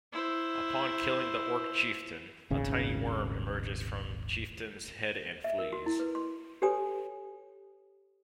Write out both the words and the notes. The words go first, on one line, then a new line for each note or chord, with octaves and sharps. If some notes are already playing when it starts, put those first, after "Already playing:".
Upon killing the Orc chieftain, a tiny worm emerges from chieftain's head and flees.
E4 C5
D#1 G#1 C#3
E5
A#4
F#4
E4
B4
C6
G4 A4 B4 C#5 G#5 D#6